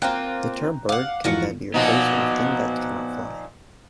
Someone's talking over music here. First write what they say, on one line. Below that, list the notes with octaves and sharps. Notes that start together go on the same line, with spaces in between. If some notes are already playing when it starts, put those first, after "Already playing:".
The term 'bird' can then be replaced with a thing that cannot fly.
A#3 C4 F4 G5 A#5 F#6
F5 F#5 D6
F2 E3 F4 F#4 A#4 C#7
A#2 F3 B3 D#4 F#4